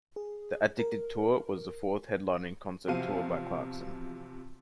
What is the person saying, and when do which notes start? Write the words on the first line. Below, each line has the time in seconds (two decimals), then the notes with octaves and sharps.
The Addicted Tour was the fourth headlining concert tour by Clarkson.
0.16 G#4
0.79 A#4
2.88 E2 C3 F3 F#3 F5 D#7